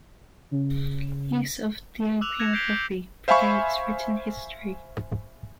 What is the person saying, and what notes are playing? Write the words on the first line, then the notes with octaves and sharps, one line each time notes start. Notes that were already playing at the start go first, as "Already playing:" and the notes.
Use of the opium poppy predates written history.
C#3
D6 E6 F#6 F7
F#6 G#6 A#6 C#7 E7
G6 B6 C7 D7 F7 G7
G6
C5 E5 F5 G#5 B5 C#6